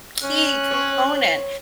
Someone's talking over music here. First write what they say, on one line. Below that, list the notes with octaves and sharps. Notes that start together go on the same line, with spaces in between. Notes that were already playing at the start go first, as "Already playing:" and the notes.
key component
C#4 F#6
C4 C#5